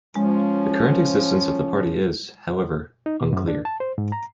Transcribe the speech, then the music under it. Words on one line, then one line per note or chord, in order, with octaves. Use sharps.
The current existence of the party is, however, unclear.
F3 G#3 C#4
D#4
B2
F#2
D4
A5
C5
G#2
A#5